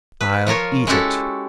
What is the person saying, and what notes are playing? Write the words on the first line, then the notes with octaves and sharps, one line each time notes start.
"I'll eat it."
B4
F3 F4 A#4 C#5
G#3 C#4 E4 F#4 G4 A4